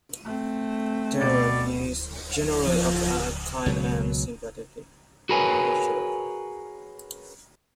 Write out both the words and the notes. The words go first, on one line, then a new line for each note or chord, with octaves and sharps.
Tarot is generally of a kind and sympathetic nature.
A3 C4
B2 D5
F3
C#2 B2 F#3
F#4 G#4 A#4 B4 C#5 G#5